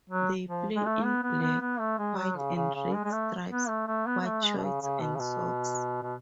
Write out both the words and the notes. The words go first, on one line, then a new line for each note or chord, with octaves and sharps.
They play in black, white and red stripes, white shorts and socks.
F#3
F3
G#3
A3
B3
B3
B3
B3
A3
G#3
F#3
C#3
C#3
C#3
G#3
G#3
A3
B3
A3
A3
B3
B3
A3
G#3
B2
C#3
C#3
B2
C#3
B2
B2